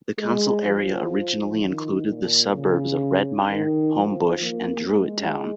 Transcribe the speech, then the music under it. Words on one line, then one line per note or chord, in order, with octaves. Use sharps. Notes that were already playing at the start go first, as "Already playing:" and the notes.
The Council area originally included the suburbs of Redmire, Homebush and Druitt Town.
G#3
F3
D#3
A#2
C#3
D#3
F3
A#3
G#3